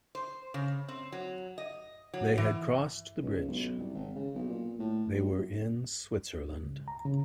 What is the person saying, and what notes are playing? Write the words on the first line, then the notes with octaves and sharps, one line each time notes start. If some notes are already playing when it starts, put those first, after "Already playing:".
They had crossed the bridge; they were in Switzerland.
C5
C#3
C4
F#3
D#5
F#3
E3
C#2
B1
C2
G#1
C#3
B1
A#2
A2
F#2
C#2
A#5
C#3